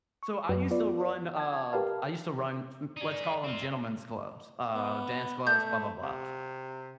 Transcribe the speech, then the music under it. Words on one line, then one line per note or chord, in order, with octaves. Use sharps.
so I used to run, uh, I used to run m let's call 'em gentlemen's clubs, uh, dance clubs, blah, blah, blah.
C#6
F#2 F#3 B4
B3 F4 B4 D5
A5 G#6
G4 A#4 B4 F5 A5
D#4 G#4 D5
C4 F4
B3
A3 G6
C3